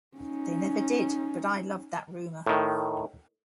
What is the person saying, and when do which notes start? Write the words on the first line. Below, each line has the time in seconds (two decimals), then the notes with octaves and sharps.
They never did, but I loved that rumor.
0.17 C#4 D#4
2.46 A2 D#3